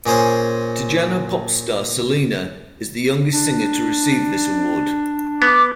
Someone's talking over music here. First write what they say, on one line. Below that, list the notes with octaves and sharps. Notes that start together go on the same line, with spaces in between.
Tejano Pop Star Selena is the youngest singer to receive this Award.
A#2 C#4 G#4 C5 C6
D4
B3 D6